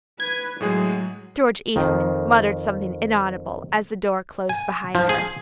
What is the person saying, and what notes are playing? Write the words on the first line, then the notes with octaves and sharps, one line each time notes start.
George Eastman muttered something inaudible as the door closed behind her.
B4 G#6
A2 F#3 G#3 G#4
F2 D#3
G#5
F3
G#4